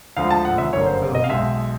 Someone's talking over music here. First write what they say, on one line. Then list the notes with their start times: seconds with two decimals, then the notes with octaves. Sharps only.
"No, the fellow needn't."
0.17 D2 D3 F3 G#3 F5
0.31 A5
0.45 F#5
0.58 E5
0.73 G1 F#2 D3 G3 A#3 C#5
0.86 C5
1.15 D#5
1.24 F5
1.30 B1 B2 G#3 E5